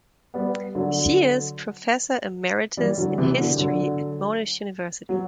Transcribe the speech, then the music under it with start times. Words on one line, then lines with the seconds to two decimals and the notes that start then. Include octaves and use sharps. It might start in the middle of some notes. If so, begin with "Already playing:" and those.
She is professor emeritus in history at Monash University.
0.34 G3 B3
0.75 D3 F#3
2.77 E3 G3
2.98 D3 F#3
3.18 C3 E3
3.38 B2 D3
3.58 D3 F#3
5.09 F#3